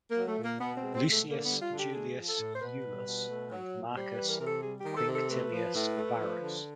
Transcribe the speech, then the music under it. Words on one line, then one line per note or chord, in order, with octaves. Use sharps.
Lucius Julius Iulus and Marcus Quinctilius Varus.
A#3
F#3
A3
A#2 A#3
B2 B3
C4
G#3
C4
B2
A3
D3 A#3
B3
G3
F4
D3
G4
A3 G#4
F3
A4
A2
C5
B2 B4
G3
B2
A3
F#3
A#2
G3 C5
B4
E3
A#4
C3 A#4
A4
G3 G#4
G4
D#3
A4
C3
A4
A3 B4
F3
A2
A3
F3
D3